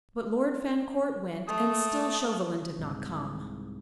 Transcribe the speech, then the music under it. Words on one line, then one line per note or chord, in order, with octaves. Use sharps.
But Lord Fancourt went, and still Chauvelin did not come.
A3 D#6
C2 G#2